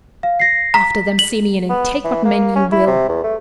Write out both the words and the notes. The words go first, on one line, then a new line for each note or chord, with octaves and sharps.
"After them, Simeon, and take what men you will."
F5
A#6 C7
A#5 B6
F#7
B3
E3
A#3
C#4
E4
C3
E2
A3